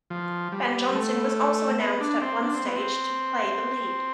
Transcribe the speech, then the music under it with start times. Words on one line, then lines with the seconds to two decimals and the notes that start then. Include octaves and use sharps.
Van Johnson was also announced at one stage to play the lead.
0.10 F3
0.52 G3
0.95 A3
1.80 B3
2.01 D4
2.22 C4
2.43 D4
2.54 C4
2.65 B3
2.76 C4